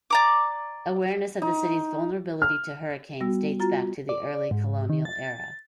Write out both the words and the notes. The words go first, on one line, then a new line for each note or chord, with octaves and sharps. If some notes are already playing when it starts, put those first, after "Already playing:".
Awareness of the city's vulnerability to hurricanes dates back to the early Colonial era.
D5 A#5 D6
D#4
F6
G3 B3 F#4 E6
F4 F#4 A#5 A6
D5
G#2
D#3
A6